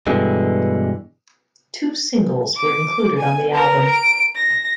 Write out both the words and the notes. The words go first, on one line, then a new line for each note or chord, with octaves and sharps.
Two singles were included on the album.
G2 B2 D3 E3 G#3
D6
G#5
A#4 B4
D7
A#6